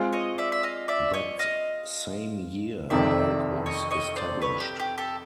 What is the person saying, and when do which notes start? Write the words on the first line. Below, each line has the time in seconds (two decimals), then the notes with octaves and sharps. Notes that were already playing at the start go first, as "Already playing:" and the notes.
That same year, a bank was established.
Already playing: G#3 C4 F4
0.13 C#5 D#5
0.38 D5 E5
0.52 E5
0.63 D#5 F5
0.88 D5 E5
1.14 C#5 D#5
1.39 D#5 F5
2.90 F2 C3 D#3 D5 E5
3.66 C#5 D#5
3.91 C#5 D#5
4.16 C5 D5
4.42 B4 C#5
4.60 G4
4.80 G4
4.98 G4 A4